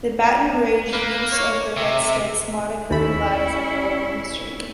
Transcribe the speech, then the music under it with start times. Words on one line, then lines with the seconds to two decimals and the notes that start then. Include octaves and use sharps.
The Baton Rouge use of the "Red Sticks" moniker lies in local history.
0.93 A#3 B4
1.32 C#5
1.77 C3 E5
2.91 D#2 C#4 E4 B5